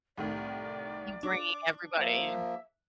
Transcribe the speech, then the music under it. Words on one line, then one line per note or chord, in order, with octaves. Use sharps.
you bringing everybody.
C2 A2 D#3 D5
D4 D6
F3 A#3 E5